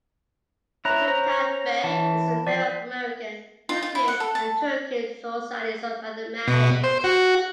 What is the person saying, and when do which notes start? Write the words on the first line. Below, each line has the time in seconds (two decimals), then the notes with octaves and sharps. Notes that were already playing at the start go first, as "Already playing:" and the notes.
Betül Tanbay is a member of American, European and Turkish societies of mathematics.
0.85 C#4 E4 A#5 F#6
1.08 C5 A#5
1.84 E3 A5
2.47 F3 C5 D5 B6 C7
3.69 F4
3.83 F4
3.95 E4
4.08 F#5
4.20 A4
4.35 A5
6.48 B2
6.84 C5
7.04 F#4